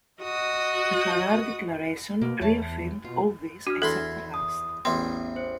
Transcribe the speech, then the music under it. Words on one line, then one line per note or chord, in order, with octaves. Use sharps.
The Harare Declaration reaffirmed all these except the last.
F#4 D#5 D#6
B2 A#3
E2 C#5 E5 A5
B2 F4
D4 F#4 F6
E2 A4 E5 B5 C6 G#6
D#6
A1 E2 B3 C4 C6
C5